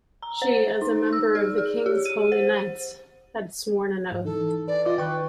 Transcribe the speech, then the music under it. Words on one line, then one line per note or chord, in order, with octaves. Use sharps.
She, as a member of the king's holy knights, had sworn an oath.
A#5
C5
D#4
E6
G#4
G#4
G4
D#7
C5
G#2
E3 D#4 A4
B4 D5 G#5
F4 D#5 D6
D#3 B4 G5 C#6